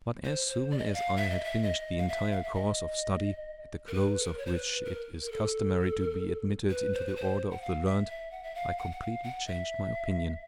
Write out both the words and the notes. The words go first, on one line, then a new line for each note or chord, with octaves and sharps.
But as soon as I had finished the entire course of study, at the close of which it is customary to be admitted into the order of the learned, I completely changed my opinion.
C5
C5
D5
D#5
D5
F5
E5
D#5
E5
D#5
F5
E5
F5
E5
D#5
A#4
B4
A4
A#4
C#5
C5
B4
A#4
A#4
A4
B4
C5
B4
C5
F#5
F5
E5
E5
F#5
E5
F5
F#5
F#5
F5
F#5
E5